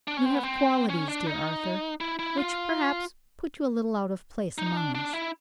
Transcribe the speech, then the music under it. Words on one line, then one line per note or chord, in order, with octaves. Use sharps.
You have qualities, dear Arthur, which perhaps put you a little out of place among us.
D4
C#4
C4
B3
C4
C#4
D4
D#4
E4
E4
F4
D#4
D4
D4
E4